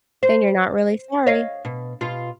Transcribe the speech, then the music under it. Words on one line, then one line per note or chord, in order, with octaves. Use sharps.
Then you're not really sorry.
C5
C#5 D#5 F5
B2
B2 F4